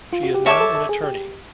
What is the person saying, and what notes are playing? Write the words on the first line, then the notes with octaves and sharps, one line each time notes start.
She is now an attorney.
F4
F#4
G4
G#4 C#5 E5 A5 D6
A4
A4
G#4
G4